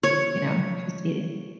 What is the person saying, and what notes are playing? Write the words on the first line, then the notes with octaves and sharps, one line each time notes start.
you know, if you see it.
C#5